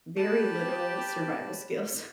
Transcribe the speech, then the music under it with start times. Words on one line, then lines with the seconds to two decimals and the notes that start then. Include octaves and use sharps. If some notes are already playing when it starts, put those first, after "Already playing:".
very little survival skills.
0.16 G4 B4 A5